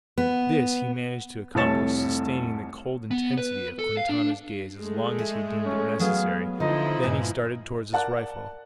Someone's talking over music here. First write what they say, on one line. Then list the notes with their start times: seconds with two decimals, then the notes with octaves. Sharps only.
This he managed to accomplish, sustaining the cold intensity of Quintana's gaze as long as he deemed it necessary. Then he started toward his rifle.
0.18 B3
1.55 F1 C2 A3 C#5 A6 E7
3.11 B3
3.37 B4
3.79 A4
3.97 F5
4.09 D4
4.79 G#3 A3
5.19 G#4 E5
5.65 C#4
6.00 F#3 B3 G#4 F5
6.60 D3 F3 D#4 E4 D#5
7.03 G2 A#2 G#5
7.93 A#4 D5 F#5 A5 F#6